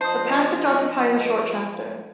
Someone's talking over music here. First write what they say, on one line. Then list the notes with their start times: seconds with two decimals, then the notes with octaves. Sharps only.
The passage occupies a short chapter.
0.01 F3 C5 D#5 A5 D#6